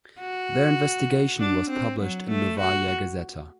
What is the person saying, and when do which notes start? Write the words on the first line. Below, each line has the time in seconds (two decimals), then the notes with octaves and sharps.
Their investigation was published in "Novaya Gazeta".
0.20 F#4
1.39 D4
1.69 C4
2.00 F#3
2.30 A3
2.60 F#4